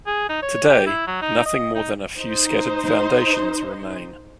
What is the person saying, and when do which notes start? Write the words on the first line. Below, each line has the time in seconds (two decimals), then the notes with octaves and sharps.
Today, nothing more than a few scattered foundations remain.
0.07 G#4
0.29 D#4
0.42 C#5
0.69 G4
0.86 E4
1.07 F#3
1.22 D#4
1.46 D#5
1.75 D#4
2.18 D#4 C5